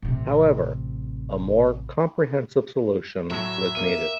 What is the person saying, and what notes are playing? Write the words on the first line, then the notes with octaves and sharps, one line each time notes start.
However, a more comprehensive solution was needed.
A1 C3
A2 F#3 E5
A#3 D#7